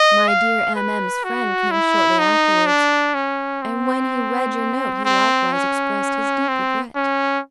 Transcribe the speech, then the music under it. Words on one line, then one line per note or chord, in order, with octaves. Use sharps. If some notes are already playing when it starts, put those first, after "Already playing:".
My dear M---- M----'s friend came shortly afterwards, and when he read your note he likewise expressed his deep regret.
Already playing: D#5
F5
B4
F#4
E4
D#4
D4
C#4
C4
C4
C#4
C4
C#4